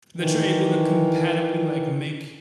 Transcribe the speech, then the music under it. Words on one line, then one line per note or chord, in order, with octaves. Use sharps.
that you're able to compatibly, like, make
D#3 E3